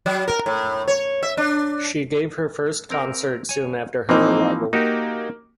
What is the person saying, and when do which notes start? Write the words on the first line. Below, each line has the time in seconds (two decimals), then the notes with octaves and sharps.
She gave her first concert soon after her arrival.
0.06 F#3
0.28 A#4
0.46 A2
0.88 C#5
1.23 E5
1.37 D4
2.90 C4 A#4
3.49 C#5 G#5
4.09 E3 F3 A#3 C4 D#4
4.73 A#3 D#4 F#4 G4